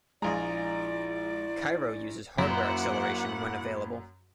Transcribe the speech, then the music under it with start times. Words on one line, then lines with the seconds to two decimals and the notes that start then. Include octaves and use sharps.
Cairo uses hardware acceleration when available.
0.22 A#1 G#3 E4 F4 G#4 D5 G#5 A#5
2.38 F#2 A#3 E4 F#4 C5 F#5